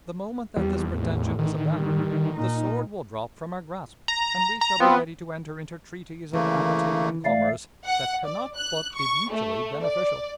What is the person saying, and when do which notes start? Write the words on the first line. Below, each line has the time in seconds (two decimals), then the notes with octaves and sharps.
The moment that this pretension is abandoned, the sword will drop from our grasp, and we shall be ready to enter into treaties of amity and commerce that can not but be mutually beneficial.
0.57 E2 G3
0.90 A1
1.39 D#3
1.76 G3
2.34 A#2 D#4
4.08 A#5
4.61 A#5
4.80 B3 C4 F4
6.33 C#3 E3 A3 A#3
7.25 A3 D5 F5
7.85 F#5
8.26 D5
8.57 F#6
8.95 C#6
9.31 A3
9.83 D5